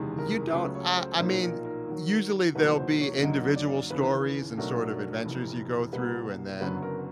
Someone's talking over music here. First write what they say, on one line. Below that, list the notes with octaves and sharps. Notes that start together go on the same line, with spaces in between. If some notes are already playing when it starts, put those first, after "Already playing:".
You don't I I mean, usually there'll be individual stories and sort of adventures you go through and then,
Already playing: F#1 E2 C3 D#3 G#3
A#4
C#2 C#3 F#3 A3 B4
C#5
C5
B1 A#2 F3 A#3 D#4 C5
A#4
A#4
D#2 D#3 F#3
E2 B2 F#3 A#3 D#4 B4
C5
C#5
F#2 D3 F#3 A#3 D#4 D#5
D5
D#2 C#3 E3 B4
B1 B2 F#3 A3 D4 A#4
F1 F2 C3 E3
C2 B2 G3 A#3 B4
F#1 F#2 D3 F#3 B3 B4
A#4